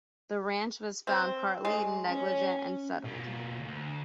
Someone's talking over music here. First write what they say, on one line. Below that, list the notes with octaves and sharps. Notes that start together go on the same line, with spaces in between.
The Ranch was found partly negligent and settled.
C4
G#3
C#4
B2 A#3
D2